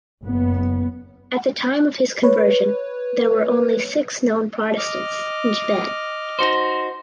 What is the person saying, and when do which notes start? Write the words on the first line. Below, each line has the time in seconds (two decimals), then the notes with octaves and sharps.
At the time of his conversion there were only six known Protestants in Japan.
0.23 F#1 B3
2.23 B4 C#5
4.78 D#5 D6 F6
6.39 D#4 F#4 C5